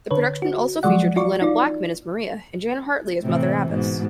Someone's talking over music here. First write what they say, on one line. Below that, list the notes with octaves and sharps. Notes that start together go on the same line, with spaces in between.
The production also featured Helena Blackman as Maria and Jan Hartley as Mother Abbess.
D3 B4 C#5
F#4
F3 F#3 G#3 D5 F#5
F4 F#4 D5 C#6
D#4 F4 D5
A2 C3 E3
G#2 B2